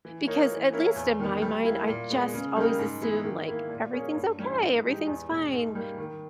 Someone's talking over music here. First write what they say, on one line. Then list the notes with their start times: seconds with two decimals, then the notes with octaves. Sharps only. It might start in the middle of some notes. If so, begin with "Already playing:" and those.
because- at least in my mind- I just always assume, like, "Everything's okay, everything's fine,"
0.05 E3
0.27 A#3 D#4 A#4 C#5
0.51 E3
0.73 A#3 E4 A#4 C#5
0.96 E2
1.20 D#3 G3 B3
1.42 G3
1.64 A#3 E4
1.88 A#2
2.11 G#3 B3
2.34 C#3
2.56 G3 A#3 D#4 A#4
2.79 G#2
3.01 E3 G#3 B3 E4
3.24 D#3
3.47 A#3 E4
3.70 A#2
3.93 A#3 C#4 G#4 C#5
4.15 G2
4.38 E3 G3 C#4 E4
4.61 G#2
4.84 E3 G#3 D#4 G4
5.07 E2
5.30 B2 G#3
5.53 G#2
5.75 G3 A#3
5.98 D#3